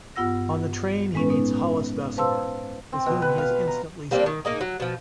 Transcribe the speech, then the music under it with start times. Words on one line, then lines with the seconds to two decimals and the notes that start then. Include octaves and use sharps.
On the train he meets Hollis Bessemer, with whom he is instantly smitten.
0.16 G2 B3 F4 F#5 E6 A#6
1.14 A2 G#3 B3 C#4 B4
1.30 B3 D#4
2.17 B4 C5 F5 A5 C6 E6
2.92 C4
3.06 B2
3.22 B4
3.38 F5
3.67 A#5
4.11 G3 A#3 C4 D4
4.26 D#3
4.45 A#3 D#4 G#4
4.61 F#3
4.80 B2 F3